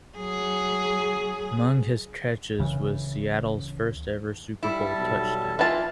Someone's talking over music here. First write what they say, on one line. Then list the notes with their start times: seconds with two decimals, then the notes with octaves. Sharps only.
Among his catches was Seattle's first-ever Super Bowl touchdown.
0.17 F#3 G#4
2.59 D1 C#3 E3
4.63 G3 E4 A4 A5
4.98 B1
5.59 E3 F4 E5 A5